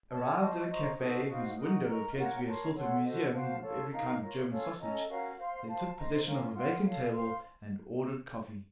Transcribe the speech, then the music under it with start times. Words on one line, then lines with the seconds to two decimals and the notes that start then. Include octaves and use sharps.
Arrived at a cafe whose window appeared to be a sort of museum of every kind of German sausage, they took possession of a vacant table and ordered coffee.
0.10 A4 C#5 A5
0.39 C5 D#5 A5 C#6
0.69 C5 D#5 A#5 C#6
0.97 D#4 F#4 A4 C5
1.27 D#4 F#4 C5 F5
1.57 D#4 F#4 A#4
1.86 A#4 D#5 A#5 C#6
2.15 F4 A#4 C#5 F#5
2.44 A#4 C#5 A5 C6
2.74 A4 C#5 F#5 C6
3.03 F#4 A4 C5 D#5
3.32 F#4 C5 F5 A5
3.62 F4 A4 C#5 A5
3.91 D#4 A#4 F5
4.20 F4 A#4 C#5
4.49 C#4 F4 A4 C#5
4.79 C#4 A4 D#5 A#5
5.08 C#4 F#4 A#4 F5
5.37 C5 F5 C6
5.67 C5 F5 A5
5.97 C5 D#5 A#5
6.26 C#4 F4 A#4
6.55 F4 C5 F#5 C6
6.84 A4 C#5 F5
7.13 C5 F5 C6